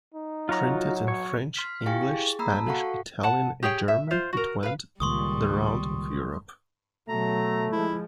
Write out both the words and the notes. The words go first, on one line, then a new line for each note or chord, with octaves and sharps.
Printed in French, English, Spanish, Italian and German, it went the round of Europe.
D#4
F#3 F4 F#4 A#5
C#5
C6 F6 B6
E4 G4 F5 G5 G#5 C#6
G#4
A#3 A#5 B5 E6
A5
F#4 A4 F5 F#5 C#6
F#5 A5
G4 G#4 C#5 G5
E5
F4 C5
F#4 A#4
B4 F5
C#2 A#2 D#3 G3 C6 C#6 D#6
B2 F#3 A3 A#5
F3 G#3 E4